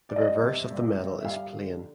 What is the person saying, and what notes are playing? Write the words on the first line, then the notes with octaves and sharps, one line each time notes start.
The reverse of the medal is plain.
D5
G3 D#5
C3
G2
G2
E5
G3 F5
D3